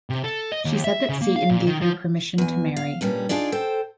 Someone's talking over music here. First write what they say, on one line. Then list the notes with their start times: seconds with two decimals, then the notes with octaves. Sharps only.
She said that Satan gave her permission to marry.
0.10 C3
0.24 A4
0.52 D#5
0.65 D#2
0.84 E5
1.09 C#3
1.22 A#3
1.36 F5
1.50 A#2
1.67 D#3
1.81 F3
2.38 E2 G#5
2.77 F5
3.01 G2 A#2 G3 C#4
3.29 D4 D#4 F4 G#4 D5
3.52 A4 C5 G5